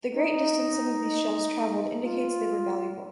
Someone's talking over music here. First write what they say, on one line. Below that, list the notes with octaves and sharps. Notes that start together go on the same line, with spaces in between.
The great distance some of these shells traveled indicates they were valuable.
D#4
F4